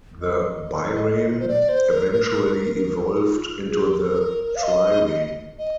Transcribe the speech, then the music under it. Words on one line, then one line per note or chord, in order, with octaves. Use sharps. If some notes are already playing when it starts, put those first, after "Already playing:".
The bireme eventually evolved into the trireme.
D#5
C5
D5
C5
A#4
A#4
A#4
F4
D#4
F4
G#4
G4
A#4
F5
D#5
D#5